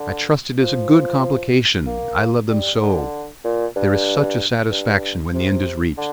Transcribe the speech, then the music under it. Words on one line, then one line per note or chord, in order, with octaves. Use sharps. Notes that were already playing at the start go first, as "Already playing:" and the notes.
I trust it is a good complication--I love them so--there is such a satisfaction when the end is reached.
Already playing: D3
F3
A#3
G3
D3
A#2
G2
G2
C3
D3